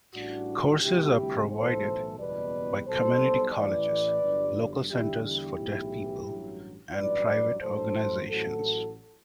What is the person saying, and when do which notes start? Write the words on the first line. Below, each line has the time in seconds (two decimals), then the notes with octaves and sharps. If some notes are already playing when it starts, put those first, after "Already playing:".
Courses are provided by community colleges, local centres for deaf people and private organisations.
0.13 A1 A2 E3 G3 D4 F#4
0.82 D2 C3 G3 E4 G4
1.49 B1 A2 E3 A4 C5
2.17 F#1 E2 B2 G3 B4 D5
2.85 B1 B2 G3 A4 C5
3.53 A1 A2 E3 B4 D5
4.21 G1 G2 F#3
4.89 E2 D3 G3 E4 G4
5.23 E4 G4
5.57 B1 A2 E3
6.24 A1 G2 F#3
6.93 A1 G2 F#3 B4 D5
7.61 A1 A2 F#3 A4 C5
8.28 A1 A2 F#3 F#4 A4